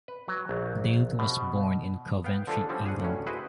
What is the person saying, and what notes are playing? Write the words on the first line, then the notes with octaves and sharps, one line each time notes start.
Dale was born in Coventry, England.
B4
F#3
A#1
B2
B3 F5 G5
D3 F3 A3 D4 G#4 A4
D3 F3 G3 C4 C#4
G#4 F#5
D2 A2 C#4
E4 F#4 G#4 B4 C5 D#5